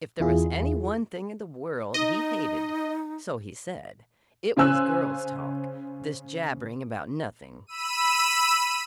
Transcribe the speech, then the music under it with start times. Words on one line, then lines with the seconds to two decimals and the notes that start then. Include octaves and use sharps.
If there was any one thing in the world he hated--so he said--it was girls' talk, this jabbering about nothing.
0.20 E2 E4 F4 G#4
1.94 D#4 D#5
4.57 C#3 C#4 C5 G#5 E6 F#6
7.67 B5 E6 D#7